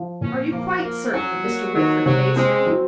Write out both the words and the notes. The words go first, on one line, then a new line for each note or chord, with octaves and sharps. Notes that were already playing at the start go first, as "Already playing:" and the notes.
"Are you quite certain that Mr. Whitford pays for you."
Already playing: F3
A#2 C#4
F3 A#3
A#3 F4
F#3 C#4
A#3
D#3 F#3
C3 F#3
G#3 C4
F#3